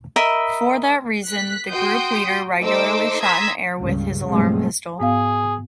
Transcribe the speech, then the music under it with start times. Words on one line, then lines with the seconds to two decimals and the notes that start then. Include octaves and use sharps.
For that reason, the group leader regularly shot in the air with his alarm pistol.
0.16 A#4 D#5 E5 B5
1.27 F#6 B6
1.70 F#4 G5 C6 D#6 G6
2.61 A3 D#4 C5 D6 E6
3.21 A#5 C6 D#6 E6 G#6 B6
3.78 C#2 G2 A#2 C#3
4.26 B1 G2 F#3 G#3 A3 C4
5.00 G#2 B3 G#4 F5